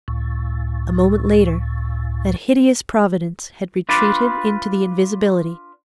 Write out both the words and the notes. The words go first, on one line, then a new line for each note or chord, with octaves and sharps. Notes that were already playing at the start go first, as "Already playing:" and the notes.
A moment later, that hideous providence had retreated into the invisibility.
C#2 A2
D4 F4 B4 D5